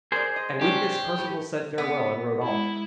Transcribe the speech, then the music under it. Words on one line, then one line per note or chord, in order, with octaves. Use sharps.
And with this Perceval said farewell and rode off.
G#4 A#4 C5 D5
D#5
C3 C#4 D4 G4
A2
B3
G#3 E4